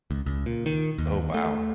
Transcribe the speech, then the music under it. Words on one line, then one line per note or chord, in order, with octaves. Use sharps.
Oh, wow.
C#2
C#2
A#2
D#3
D#2
A3